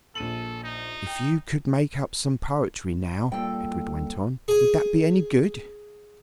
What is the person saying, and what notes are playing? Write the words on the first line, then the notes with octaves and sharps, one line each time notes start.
"If you could make up some poetry now," Edred went on, "would that be any good?"
A#1 A4 D#7 F#7
D#4
G5
G2 A#2 A4 G5
G#4 G#5